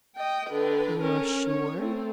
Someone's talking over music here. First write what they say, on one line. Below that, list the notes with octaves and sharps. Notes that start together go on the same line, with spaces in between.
"You are sure?"
D#5 G5
D3 B4
C#4 A#4
C#5
A3 C4